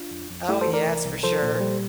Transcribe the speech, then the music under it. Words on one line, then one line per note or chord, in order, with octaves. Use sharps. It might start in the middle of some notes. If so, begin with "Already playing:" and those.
Oh, yes, for sure.
Already playing: D4 F4
F2
F2
A3 E4 G4
A4 C5
E3
A#4 D5
C2
C2
F3 A4 C5
A#2
G3